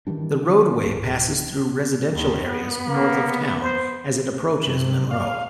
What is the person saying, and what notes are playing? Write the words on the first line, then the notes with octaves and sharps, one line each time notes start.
The roadway passes through residential areas north of town as it approaches Monroe.
D#3 E3 G3 D4
D1
D#2
B3
A#3
C5
C3
F5